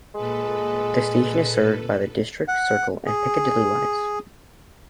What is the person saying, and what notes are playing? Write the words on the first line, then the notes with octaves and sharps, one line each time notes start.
The station is served by the District, Circle and Piccadilly lines.
A#2 G#3 A4 B4
F#5
G#4